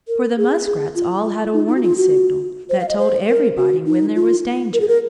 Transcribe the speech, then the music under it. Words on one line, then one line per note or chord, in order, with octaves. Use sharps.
For the Muskrats all had a warning signal that told everybody when there was danger.
A#4
G#4
G#4
F4
F4
D#4
D#4
F#4
F4
F#4
C5
F5
D#5
C5
A#4
F#4
D#4
F4
A#4
G#4
A#4